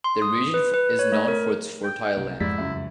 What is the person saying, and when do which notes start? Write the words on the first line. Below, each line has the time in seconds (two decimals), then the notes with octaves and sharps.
The region is known for its fertile land.
0.04 C6
0.22 D#6
0.54 B4
0.74 B4
0.99 C#5
1.12 A3
1.28 A#4
1.84 G5
2.17 C2
2.40 F2 G#2 E4 D5 A6 B6
2.58 C#2 F#2 E5